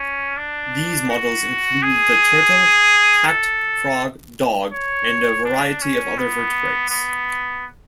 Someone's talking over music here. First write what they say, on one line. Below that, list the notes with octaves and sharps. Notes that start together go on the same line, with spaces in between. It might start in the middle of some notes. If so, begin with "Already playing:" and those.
These models include the turtle, cat, frog, dog, and a variety of other vertebrates.
Already playing: C#4
D4
F#4
G#4
A4
C#5
D4
C#4
B3
B3